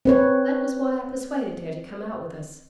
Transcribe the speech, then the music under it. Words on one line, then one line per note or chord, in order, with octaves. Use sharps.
That was why I persuaded her to come out with us.
C4 B4 C#5